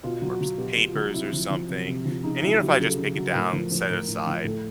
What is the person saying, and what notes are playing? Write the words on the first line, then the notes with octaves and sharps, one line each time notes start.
or some papers or something, and even if I just pick it down, set it aside,
B2 F4
F#3
F#4
F#3
B2 G4
B2
F4
F#3
C3 E4
F3
F3
C3
C3
F3
C#3 D#4
F#3 E4
F#3 G4
C#3 A4
C#3
F#3
B4
A2 A#4
F3
F3
A2 A#4
A2
F3
A2 A4